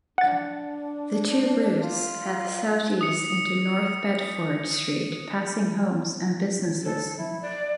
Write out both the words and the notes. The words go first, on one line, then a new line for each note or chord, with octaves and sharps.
The two routes head southeast onto North Bedford Street, passing homes and businesses.
D4 F#5 A6
F4
D#6 C#7
A4
E4
D5